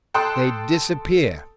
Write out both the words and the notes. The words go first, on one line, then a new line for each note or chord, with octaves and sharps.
They disappear.
A4 G5 A5 C6 D#6 F#6